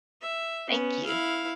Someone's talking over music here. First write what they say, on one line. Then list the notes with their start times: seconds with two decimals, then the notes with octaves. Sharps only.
thank you.
0.21 E5
0.68 B3 C#4
1.05 E4 F5